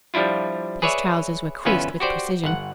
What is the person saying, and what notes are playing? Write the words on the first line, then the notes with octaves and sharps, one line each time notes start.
His trousers were creased with precision.
F3 G3 D4 E4 F4
G#4 B4 C#5 D5 E5
G1 E2 C#4 F4 B4 E5
F#4 G4 C5 D5
G1 F#5